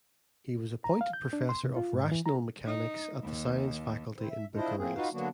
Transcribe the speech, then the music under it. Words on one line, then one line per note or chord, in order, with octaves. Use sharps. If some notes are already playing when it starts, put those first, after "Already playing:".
He was appointed professor of rational mechanics at the Science Faculty in Bucharest.
A#5
F5
G6
D4
C6
C3
F4
G#2
E3
A#5
D#4
D#2
D#3 C4 E4 C5
E5
D4 E4 F4 C5 D#5
F2 A2 A#3 C4 G#4
D#4 F4 F#4 B4 F5
D3 F#3 A#3 B3 D4 F#4